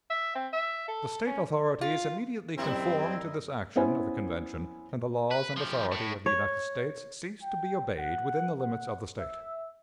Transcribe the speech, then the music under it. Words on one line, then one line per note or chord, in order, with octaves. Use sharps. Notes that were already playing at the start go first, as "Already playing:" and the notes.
The State authorities immediately conformed to this action of the Convention, and the laws and authority of the United States ceased to be obeyed within the limits of the State.
E5
C4
E5
A4
C#4
F4
F#2 G3 C4 E4 A#4 D#5
B3 C#4 E4 C5 G#5
B4
F3 G4
A2
C#5
G5
F#5
F#5
E5